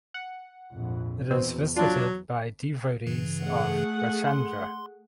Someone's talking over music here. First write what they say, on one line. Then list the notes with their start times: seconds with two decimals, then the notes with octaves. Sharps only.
It is visited by devotees of Rajchandra.
0.14 F#5
0.74 A#1 F2 G#2
1.30 E2 B2 C4
1.76 F#3 D4 F4
3.07 G2 C#3 E3
3.44 A3 G#4 F#5
4.27 C6